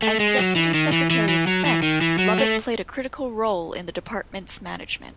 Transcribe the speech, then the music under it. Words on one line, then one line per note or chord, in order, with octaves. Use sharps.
As deputy secretary of defense, Lovett played a critical role in the department's management.
A3
G#3
F#3
E3
D#3
E3
E3
E3
F#3
E3
D#3
E3
F#3
A3